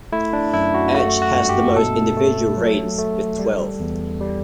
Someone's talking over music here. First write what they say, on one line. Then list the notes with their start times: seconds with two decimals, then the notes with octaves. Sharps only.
Edge has the most individual reigns with twelve.
0.13 A3 E4
0.33 D4
0.54 F#2 E4
0.74 F#4
0.95 A3 F#4
1.22 F#4
1.35 G2
1.49 G4
1.76 B2 A4
2.17 A3
2.57 F#3
2.98 A3
3.39 G3
3.80 E2
4.21 G3